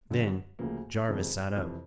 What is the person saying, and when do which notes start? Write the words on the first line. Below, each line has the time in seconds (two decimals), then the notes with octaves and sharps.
Then Jarvis sat up.
0.11 F#2 D3 F#3 B3
0.59 D2 C#3 F3 A#3
1.08 F2 C3 D#3 G#3 B3
1.56 F2 C3 E3